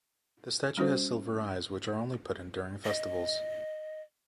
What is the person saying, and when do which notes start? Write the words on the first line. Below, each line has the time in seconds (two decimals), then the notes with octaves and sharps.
The statue has silver eyes which are only put in during festivals.
0.77 G3 C#4 F#4 C5
2.85 D#5